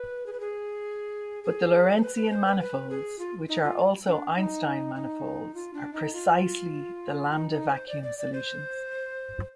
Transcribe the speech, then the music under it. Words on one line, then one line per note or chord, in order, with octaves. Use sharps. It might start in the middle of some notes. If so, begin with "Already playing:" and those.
But the Lorentzian manifolds which are also Einstein manifolds are precisely the Lambdavacuum solutions.
Already playing: B4
G#4
B4
G#4
G#4
C5
B4
B4
C5
B4
B4
G#4
F4
D#4
F4
D4
D#4
D#4
F4
D4
D#4
F4
D#4
D#4
C5
D5
D5
D5
C5